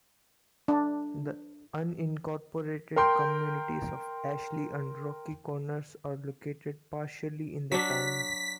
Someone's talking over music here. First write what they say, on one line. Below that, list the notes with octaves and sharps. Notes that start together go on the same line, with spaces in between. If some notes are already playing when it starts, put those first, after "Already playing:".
The unincorporated communities of Ashley and Rocky Corners are located partially in the town.
D4
A#4 G5 C6 G6
F#3 D4 B6